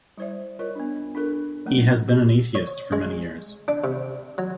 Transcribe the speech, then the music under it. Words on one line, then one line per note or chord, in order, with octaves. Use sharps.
He has been an atheist for many years.
G3 E4 C5 D5 E5
F4 A#4 C#5 D#5
B3 D4
D4 F4 A4 A#4
F3 F#3 A3 A#3 C#4
F#4 G4
C#5
G#3
D4
C3
F#3